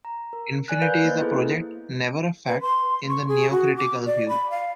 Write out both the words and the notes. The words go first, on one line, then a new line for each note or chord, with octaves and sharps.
Infinity is a project, never a fact, in the neocritical view.
A#5
A#4
D5 G#5 F#6
A#4 B4 F5 G6
A#3 B4 C5 D#5
B3 E4 G#4 A4
B4
C6
C#6
G#4
F#4
D6
D5
B5
F5